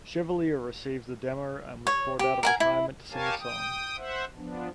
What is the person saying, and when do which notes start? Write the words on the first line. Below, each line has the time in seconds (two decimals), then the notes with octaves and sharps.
Chevalier received the demo and was brought out of retirement to sing the song.
1.87 C#5
2.19 G4
2.43 A#4 F#5 G#5
2.60 E4
3.11 G4 A#4 C#5 F5 G#5 A5
3.40 G5 D#6
3.97 C5 E5 F#5
4.36 F3 B3 D4